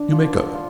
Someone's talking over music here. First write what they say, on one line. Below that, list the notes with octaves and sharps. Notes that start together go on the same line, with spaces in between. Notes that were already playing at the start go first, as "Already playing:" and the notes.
"You may go."
Already playing: D3 D4
F3 F4
F4